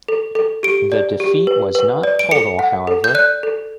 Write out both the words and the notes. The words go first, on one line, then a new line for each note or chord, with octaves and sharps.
The defeat was not total, however.
A4
A4
G4 D7
D5
G4
B4
B4
D5
D7
A4 C#7
F#5
A4
G6
D5 F#6
A4